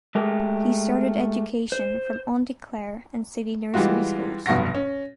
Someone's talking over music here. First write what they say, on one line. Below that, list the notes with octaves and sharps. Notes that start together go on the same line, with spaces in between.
He started education from Auntie Clare and City Nursery schools.
G#3 A3 G4 G#4 A#4
C5
E3 G3 G#3 F4 F#4
F1 B1 G2 B2 F#5 A#6
C#4